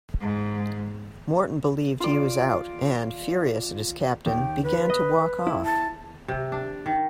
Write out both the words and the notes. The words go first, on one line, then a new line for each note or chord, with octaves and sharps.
Morton believed he was out, and, furious at his captain, began to walk off.
G#2
F4 D5
D#2 G5
B4
D#5
E4
A5
C3
D4
D#3